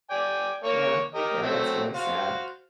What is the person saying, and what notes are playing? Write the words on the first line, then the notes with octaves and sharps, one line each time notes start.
Yeah. Yeah, that's really sad,
D5 G5 G#5
A#3 C#5 C#6
G4 A#4 D#5
F#3 A3 C4
F#4 C5 F5